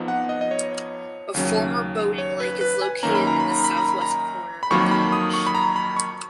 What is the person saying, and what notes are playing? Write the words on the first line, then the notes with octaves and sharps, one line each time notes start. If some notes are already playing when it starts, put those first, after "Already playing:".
A former boating lake is located in the southwest corner of the inch.
Already playing: F2 F3 B3 D#4
F#5
D#5
D#5
C#5
D#2 C#3 F#3 C#4
C#5
B4
B4
G#5
F#2 D#3 A#3 C#4 A#5
B5
A#5
B5
A#5
B5
A#5
B5
A#5
B5
F2 D#3 F#3 A#3 C#6
B5
D#6
C#6
B5
A#5
B5
C#6